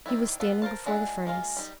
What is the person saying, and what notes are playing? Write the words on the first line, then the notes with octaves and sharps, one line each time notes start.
He was standing before the furnace.
D#3 C4 D4 E4
B3 F4 A4
A#4 C5 F5 A5
G#3 D4 E4 F#5
G#3 A#3 F4
G3 D#4